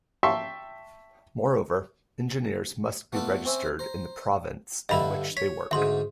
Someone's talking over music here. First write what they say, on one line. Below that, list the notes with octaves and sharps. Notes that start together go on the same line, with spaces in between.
Moreover, engineers must be registered in the province in which they work.
E5 G5 A5 C6 C#6 E6
A3 B3 D4 F4 A4 B4
C4 C#4 C5 E5 G#5
C5 A#5
G2 D3 E4 D#5 B5
C#5 B6
D2 G#2 E5 C6